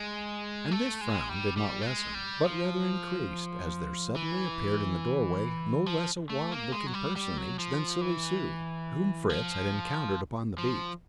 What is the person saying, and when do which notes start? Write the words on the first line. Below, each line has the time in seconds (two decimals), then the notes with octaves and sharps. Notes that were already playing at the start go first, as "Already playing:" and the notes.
And this frown did not lessen, but rather increased as there suddenly appeared in the doorway no less a wild-looking personage than Silly Sue, whom Fritz had encountered upon the beach.
Already playing: G#3
0.71 A3
1.01 G#3
1.29 G3
1.57 G3
1.81 A3
1.87 G#3
2.14 G3
2.44 F3
4.16 E3
5.86 F3
6.30 A3
6.52 A#3
6.72 G#3
6.87 F#3
6.94 G3
7.16 G3
7.38 F#3
7.59 F3
8.01 E3
9.29 F3
10.58 F3